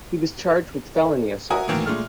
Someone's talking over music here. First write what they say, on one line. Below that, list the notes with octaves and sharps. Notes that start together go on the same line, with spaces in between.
He was charged with felony assault.
F#4 A#4 E5 G#5 D#6
A2 D#3 E3 F#3 A#3
A#2 G#3 A3 F6